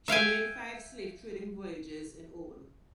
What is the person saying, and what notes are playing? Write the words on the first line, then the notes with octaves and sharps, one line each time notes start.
She made five slave trading voyages in all.
E5 F5 G5 G#5